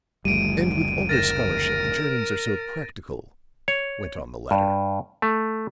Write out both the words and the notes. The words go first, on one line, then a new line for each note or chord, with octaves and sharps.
"And, with all their scholarship, the Germans are so practical," went on the latter.
F#1 D2 F3 G3 A3 D7 D#7
A#4 A6 A#6 E7
C#5
G2
A3